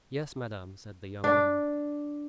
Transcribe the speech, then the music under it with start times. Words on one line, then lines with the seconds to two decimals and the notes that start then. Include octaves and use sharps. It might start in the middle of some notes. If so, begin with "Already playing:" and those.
"Yes, madame," said the young man.
1.24 D4